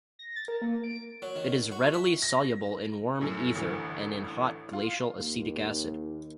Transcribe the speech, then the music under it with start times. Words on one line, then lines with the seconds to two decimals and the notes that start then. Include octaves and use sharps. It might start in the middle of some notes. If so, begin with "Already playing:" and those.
It is readily soluble in warm ether and in hot glacial acetic acid.
0.19 A#6
0.36 A6
0.48 A#4
0.61 A#3
0.84 D7
0.95 D7
1.22 F#3
1.35 D#3
1.72 F#4
1.93 E5
2.22 A#6
3.21 F#2 A2
3.56 A1 D2 A2 E3
4.73 F4
5.18 D#2